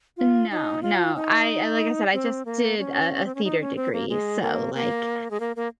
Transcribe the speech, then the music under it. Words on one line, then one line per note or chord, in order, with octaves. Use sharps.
No, no. I I like I said, I just did a a theater degree, so, like
F4
D#4
F4
D#4
C4
A#3
C#4
C4
C#4
D#4
C#4
C4
A#3
G#3
A#3
A#3
G#3
A#3
A#3